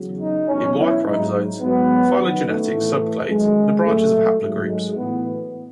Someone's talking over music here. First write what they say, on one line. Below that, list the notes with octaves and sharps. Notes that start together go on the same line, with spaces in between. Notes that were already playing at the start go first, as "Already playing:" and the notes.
In Y-chromosome phylogenetics, subclades are the branches of haplogroups.
Already playing: E2 C#3 F#3
D#4
E2 B2 F#3 C#4
E4
G#2 F#3 D#4
G#2 F#3 B3
F#2 D#3 F#3 B3
A3
A2 E3
F#2 D#3 F#3 G#3
A2 F#3 A3
G#2 F#3
G#3
A2 E3 B3